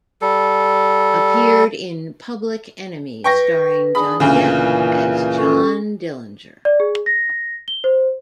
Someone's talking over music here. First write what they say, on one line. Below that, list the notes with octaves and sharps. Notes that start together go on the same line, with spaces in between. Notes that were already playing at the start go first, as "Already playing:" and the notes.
Appeared in "Public Enemies" starring Johnny Depp as John Dillinger.
G3 A4
B4 G5 C#6 A#6
D4 G#4 B5 D#6
D2 A#2 C#3 E3 F5
C#4 A4 C#6
D5
G#4
A#6
G7
C5